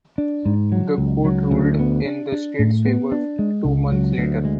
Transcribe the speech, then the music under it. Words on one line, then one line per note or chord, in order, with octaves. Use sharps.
The court ruled in the state's favor two months later.
D4
G#2
F#3
C#2
F#3
D2
B3
D4
D4
A2
B3
D4
G#3
C#2
F#3
D2
G#3